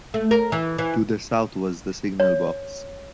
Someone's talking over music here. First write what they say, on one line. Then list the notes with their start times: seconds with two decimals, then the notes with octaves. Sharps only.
To the south was the signal box.
0.14 A3
0.31 A#4
0.52 E3
0.78 E3
2.20 C#5